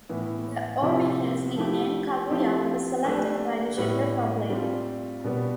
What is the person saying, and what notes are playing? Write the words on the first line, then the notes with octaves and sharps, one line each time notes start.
The orbiter's nickname, Kaguya, was selected by the general public.
A2 E3 B3
C3 F3 C4 E4
F3 A3 E4 G4
F3 C4 E4 G4
A3 D4 G4 B4
A2 G3 B3
G3 C4 F4
B2 G3 B3